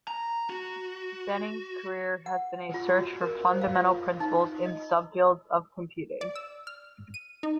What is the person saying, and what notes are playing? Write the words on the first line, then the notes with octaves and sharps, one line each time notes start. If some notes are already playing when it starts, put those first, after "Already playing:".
Denning's career has been a search for fundamental principles in subfields of computing.
A#5
F#4
F#5
F4
F#4
A#4
C5
F5
F4
D#4
D#5
D5
E6
F6
D#7
D#4